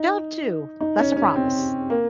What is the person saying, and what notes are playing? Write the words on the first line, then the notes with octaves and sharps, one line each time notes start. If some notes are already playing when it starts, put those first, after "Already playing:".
Y'all too, that's a promise.
Already playing: D#4
D#4
C#4
C#4
C4
A#3